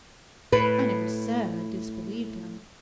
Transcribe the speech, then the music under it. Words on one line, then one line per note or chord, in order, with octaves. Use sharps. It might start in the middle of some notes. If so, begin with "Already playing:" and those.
I never SAID I disbelieved him.'
A2 B4